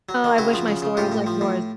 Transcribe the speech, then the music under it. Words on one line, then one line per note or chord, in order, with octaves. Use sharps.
I wish my story was like yours.
F#3
D#3
C#3 E4 F#4
F3
C#3
C#3
A2 F4 G4
A2
F3
A2